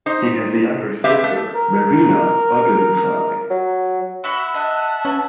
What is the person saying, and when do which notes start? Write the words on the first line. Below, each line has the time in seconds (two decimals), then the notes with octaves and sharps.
He has a younger sister, Marina Ogilvy.
0.06 D#4 C5
1.04 C4 G4 B4 E5 F5
1.24 A3
1.55 A#4
3.51 F#3
4.24 F#4 E5 F#5 B5 C#6
4.54 D#5 A5 F#6
5.05 C#4 B4